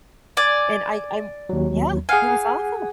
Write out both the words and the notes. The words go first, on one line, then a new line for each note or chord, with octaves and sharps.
And I I'm Yeah, it was awful.
D5 G#5
D#2 F#3
G#4 F5 F#5 G#5